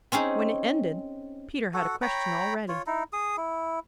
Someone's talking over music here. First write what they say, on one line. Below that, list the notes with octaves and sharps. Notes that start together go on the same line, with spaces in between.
When it ended Peter had a question all ready.
C4 C#4 D#4 G#4
F#4 A4 F#5
C#5 G5 A#5 B5
F4 C#5
D#4 E4
G#4 D#6
E4